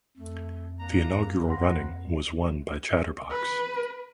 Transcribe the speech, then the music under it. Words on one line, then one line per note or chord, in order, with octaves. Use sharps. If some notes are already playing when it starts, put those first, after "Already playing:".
The inaugural running was won by Chatterbox.
F2 A3
A#3 B3 D4 A#5
C4 B4 F#5 C6 A#6
B4